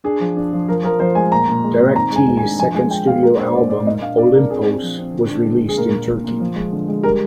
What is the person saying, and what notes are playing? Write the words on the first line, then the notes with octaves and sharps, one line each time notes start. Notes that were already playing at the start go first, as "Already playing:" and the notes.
Direc-t's second studio album "Olympos" was released in Turkey.
D4 G#4
F3
D4
F3
F3 A#4
F3 A#4
F3 C5
G#3 G#5
A#2 A#5
A#2
G#3
C4
D#3 A#5
G#3 G#5
G#3
G#5
D4
F3 G#5
G#3 G#5
G#3 G5
G#3 F5
A#2 A#4
D4 C5
A#2 D5
A#2 D5
A#3 D#5
D4 F5
D4 D5
D4 A#4
C4 G#4
C4
F3
C4
D3
D4
G#3
D4
G#4
A#2 A#4
A#2
A#2
A#2
F3
G#3
D3
G#3
G3 A#4